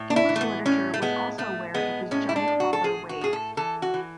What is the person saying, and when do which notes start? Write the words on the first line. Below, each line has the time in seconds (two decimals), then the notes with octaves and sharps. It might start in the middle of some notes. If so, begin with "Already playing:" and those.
English literature was also aware of his giant father Wade.
Already playing: A2
0.10 D4
0.16 E4
0.29 E3
0.36 A3
0.41 B3
0.66 A2 C#4
0.94 A3
1.02 G#3 B3
1.38 A2 A3
1.74 G#3 B3
2.11 A2 C#4
2.29 E4
2.36 D4
2.48 A2
2.60 F#4
2.73 A4
2.84 A2 G#4
3.09 F#4
3.21 A2 G#4
3.33 A4
3.57 E3 A4
3.82 F#4
3.94 E3